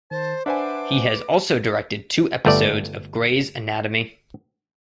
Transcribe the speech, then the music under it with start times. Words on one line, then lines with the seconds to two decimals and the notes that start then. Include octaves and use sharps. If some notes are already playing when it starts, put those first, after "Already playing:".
He has also directed two episodes of "Grey's Anatomy".
0.11 D#3 C5 A5
0.46 D4 B4 C5 E5 F#5 G#5 D6
2.45 G1 A3 D5